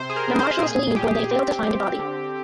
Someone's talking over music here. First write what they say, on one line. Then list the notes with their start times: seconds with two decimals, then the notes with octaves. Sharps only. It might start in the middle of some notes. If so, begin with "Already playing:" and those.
The Marshals leave when they fail to find Bobby.
Already playing: C3 C5
0.10 G#4
0.16 A#4
0.28 C3
0.39 C5
0.62 A#2 G#4
0.96 A#2 G4
1.31 C4
1.65 C4
1.99 D3